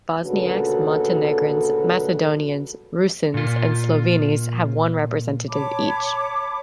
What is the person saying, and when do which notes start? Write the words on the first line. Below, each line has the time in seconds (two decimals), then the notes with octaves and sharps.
Bosniaks, Montenegrins, Macedonians, Rusyns and Slovenes have one representative each.
0.24 D2 A#2 C#3 F#4 A4 B4
3.34 A#2 F4
5.49 C#5 A5 B5 D6